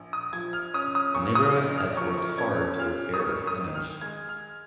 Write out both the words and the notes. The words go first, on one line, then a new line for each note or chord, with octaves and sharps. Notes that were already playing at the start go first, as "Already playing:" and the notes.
The neighborhood has worked hard to repair its image.
Already playing: A#1
D#6
F3 G#6
F6
C#4 D#6
D#6
A#2 C#6
D#6
A#1
F6
F3 C#6
C#6
C#4 G#6
A#2 F6
D#6
G#1 C#6
D#6
D#3
F6
G#3 G#6
F6